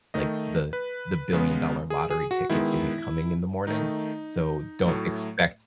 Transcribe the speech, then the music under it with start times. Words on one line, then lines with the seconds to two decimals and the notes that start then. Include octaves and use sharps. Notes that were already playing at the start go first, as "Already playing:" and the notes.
like, the the billion-dollar lottery ticket isn't coming in the morning. So don't expect
0.14 D#3 A3 D#5
0.73 B4
1.33 C#3 G#3 B3
1.90 G#4
2.10 G#4
2.31 F#4
2.50 D#3 G#3 B3 E4
3.67 D#3 A3 D#4
4.86 A2 F#3 A3